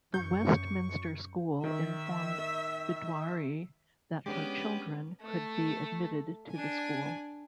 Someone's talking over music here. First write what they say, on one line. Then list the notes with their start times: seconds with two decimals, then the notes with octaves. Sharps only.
The Westminster School informed Viduarri that her children could be admitted to the school.
0.14 F#2 C#6 G6
1.64 D#3 E5
4.26 G#3 B3 C#4 D4 G4 D6
5.22 A3
6.51 D4 G#5